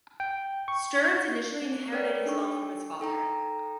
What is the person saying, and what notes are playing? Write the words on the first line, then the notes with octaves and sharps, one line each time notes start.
Stern's initially inherited his wealth from his father.
G5
C#6
C4
A#4 B4 C#5 D5 G5
D4 D#4 A4 G5 C#6
D#4 A4 G5 A#5